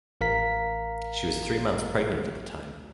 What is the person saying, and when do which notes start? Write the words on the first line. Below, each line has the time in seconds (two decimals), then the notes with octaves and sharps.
She was three months pregnant at the time.
0.21 A1 A#4 F5 A#5 B6